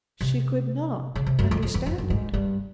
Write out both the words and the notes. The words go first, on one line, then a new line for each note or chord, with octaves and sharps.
She could not understand it.
C3
C#3
C3
F#2
F2
F2
E2
F2
F#2
G#2
G2